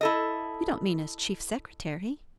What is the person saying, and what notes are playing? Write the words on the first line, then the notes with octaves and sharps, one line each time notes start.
"You don't mean as Chief Secretary?"
E4 A4 D#5